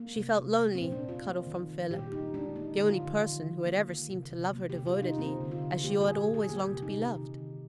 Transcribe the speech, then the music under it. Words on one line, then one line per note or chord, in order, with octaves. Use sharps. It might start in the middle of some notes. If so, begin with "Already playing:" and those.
She felt lonely, cut off from Philip,--the only person who had ever seemed to love her devotedly, as she had always longed to be loved.
Already playing: A#3
C3
C3
A#3
C4
A#2
D4
A#2
F4
A#3
D#3
D#3
A#2 G4
A#2 D#4
G#3 D4
A#3 D#4
D3
F4
D3
D#3
D#3
A#3
A#3
C3
C3
A#3
G4
C3
F4
C3
D#4
A#3 C4
D3
F4
D3
A#3 G4
G#4
A#2
A#2
G#4
A#3 G4
C3
D#4
C3
D#3
D#3